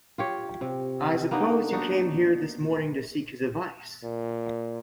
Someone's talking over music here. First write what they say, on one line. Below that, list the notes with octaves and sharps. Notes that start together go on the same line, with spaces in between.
I suppose you came here this morning to seek his advice?
F4 G4 C#5
C3
A#3 B3 D4 D#4
D4 D#4 F#4
A#2